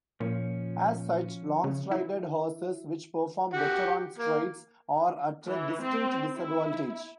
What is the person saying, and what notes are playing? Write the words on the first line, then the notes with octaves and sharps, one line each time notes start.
As such, long-strided horses, which perform better on straights, are at a distinct disadvantage.
A#2 F3 C#4
C#3
E4
F#4 G4
A#3
E3
C4
E4